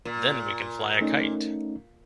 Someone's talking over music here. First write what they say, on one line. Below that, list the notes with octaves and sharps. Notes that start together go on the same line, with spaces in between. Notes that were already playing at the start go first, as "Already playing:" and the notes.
Then we can fly a kite.
A#2
A3 C#4 D#4